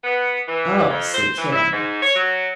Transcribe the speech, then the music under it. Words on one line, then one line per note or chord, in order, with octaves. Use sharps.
"Oh," said Carrie.
B3
E3
F2
C5
E3
E4
G#2
C#5
F#3